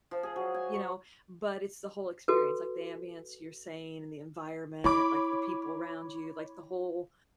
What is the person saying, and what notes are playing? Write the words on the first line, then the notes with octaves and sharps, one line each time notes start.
you know, but it's the whole experience, like the ambiance you're saying and the environment, like, the people around you, like, the whole
F3
G#4
F#3
G#5
C#6
F#4 A4 B4
E4 C#5 B5 D6